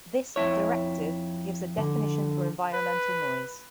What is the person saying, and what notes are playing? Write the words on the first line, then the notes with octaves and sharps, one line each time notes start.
This directive gives a definition for environmental noise.
F2 E4 C#5
D3
B4